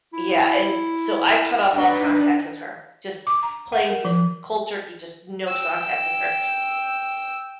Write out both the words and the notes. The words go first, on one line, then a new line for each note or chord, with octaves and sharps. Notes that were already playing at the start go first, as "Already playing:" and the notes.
yeah, and s so I cut off all contact with her, just plain just cold turkey, just no t contact with her.
E4
D4 D#4 B4
D6
A#5
F#5
A#4
F3
G5 E6